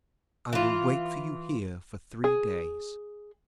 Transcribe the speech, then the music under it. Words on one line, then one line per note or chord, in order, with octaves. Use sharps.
I will wait for you here for three days.'
E3 F4
G#4